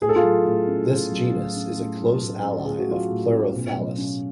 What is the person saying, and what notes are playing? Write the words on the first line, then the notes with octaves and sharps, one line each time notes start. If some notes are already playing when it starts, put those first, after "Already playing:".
This genus is a close ally of "Pleurothallis".
A2 G#4
A4
F4 G#4
F#3
A2
C#4
A2
F#3
A2
C#4
A2
F#3
A2
C#4
A2 G#4
F#4
F#3 F4 G#4
A2
C#4
B2
F#3
C#4